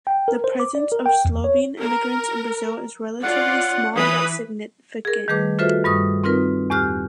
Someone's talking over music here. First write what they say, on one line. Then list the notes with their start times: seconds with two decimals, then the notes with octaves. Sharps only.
The presence of Slovene immigrants in Brazil is relatively small but significant.
0.07 G5
0.28 A#4
0.44 C5
0.60 D6
0.75 D5
0.92 A#4
1.06 G5
1.25 E2
1.44 C#5
1.80 A#4
3.23 C#4 F4 D5 F#5
3.97 E3 B4 B5 D#6
5.05 G#4 A#4
5.28 D#3 G3 A3 G#4 B4 D6
5.59 F4 F#4 A4 B4 C5 E5
5.84 G2 G3 C#6 D#6
6.24 C4 D#4 F4 A#4 B4
6.70 E2 A2 G4 F6 F#6